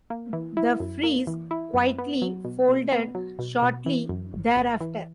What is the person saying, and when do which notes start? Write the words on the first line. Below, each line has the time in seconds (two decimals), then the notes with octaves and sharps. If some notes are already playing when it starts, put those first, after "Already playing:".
The Freeze quietly folded shortly thereafter.
0.10 A#3
0.33 E3
0.57 E4
0.80 F#2
1.03 A#3
1.27 E3
1.51 E4
1.74 F#2
1.98 B3
2.22 F#3
2.45 B2
2.68 B2
2.92 B3
3.15 F#3
3.39 B2
3.62 B2
3.86 E3
4.09 F#2
4.33 G#1
4.56 G#1
4.81 E3